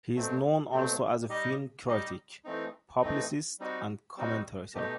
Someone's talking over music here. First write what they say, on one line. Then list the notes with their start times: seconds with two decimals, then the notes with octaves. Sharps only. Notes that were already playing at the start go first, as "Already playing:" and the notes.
He is known also as a film critic, publicist and commentator.
0.15 B2 F#3 A3 C4
0.72 B2 F#3 A3 C4
1.29 G3 D#4 G4 D#5
1.87 G3 D#4 G4 D#5
2.45 E3 A3 C4 D#4
3.02 E3 A3 C4 D#4
3.60 G3 C4 D#4 F#4
4.17 G3 C4 D#4 F#4
4.74 B2 A3 D#4 G4